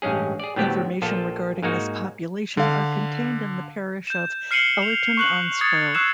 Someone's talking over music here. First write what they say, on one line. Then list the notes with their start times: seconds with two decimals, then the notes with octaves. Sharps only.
Information regarding this population are contained in the parish of Ellerton-on-Swale.
0.02 A1 G2 G#3 C#4 G#4
0.40 G#4 D5
0.56 A2 D3 F#3 B3 C4 G4
1.02 A#1 F3 F4 A4
1.63 G#2 G#3 A#3 D#4 F#4
2.57 D3 F5
4.07 G6 E7
4.51 F6 C7 C#7 D#7 F#7 G7
4.82 F7
5.17 C#6 F#6 F#7
5.61 C#6 D#6 G#6 A6 C#7
5.95 C#6 D#6 E6 F#6 C7 E7